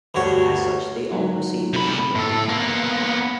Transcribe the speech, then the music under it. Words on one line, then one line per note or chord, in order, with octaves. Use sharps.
As such, they all precede the noun they modify.
D2 G2 F#4 C#5
G#2 F#3
C3 B5
A2 A4
A#3 B3